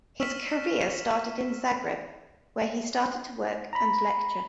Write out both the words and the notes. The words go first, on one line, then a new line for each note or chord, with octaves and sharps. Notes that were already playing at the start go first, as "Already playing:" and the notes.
His career started in Zagreb, where he started to work and lecture.
C#6 E6 F6 B6 E7 F#7
A#5 B5